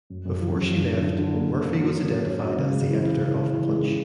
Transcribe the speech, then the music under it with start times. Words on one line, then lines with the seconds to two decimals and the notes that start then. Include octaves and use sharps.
Before she left Murphy was identified as the editor of "Punch".
0.10 F#2
0.25 F#2
0.41 F3
0.56 F#2
0.71 F#2
0.87 D3
1.03 D3
1.19 D3
1.34 A#3
1.50 A#3
1.65 A#3
1.81 F#3
1.97 A#3
2.11 C#4
2.27 C#4
2.43 F#3
2.58 C#3
2.73 G#3
2.90 E3
3.04 C#3
3.20 E3
3.35 C#3
3.51 E3
3.67 G#3
3.82 D#3